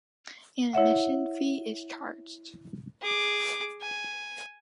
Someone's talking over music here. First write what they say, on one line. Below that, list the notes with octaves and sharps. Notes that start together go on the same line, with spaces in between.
An admission fee is charged.
E4 C#5 E5 F#5
G#4 D6
G#5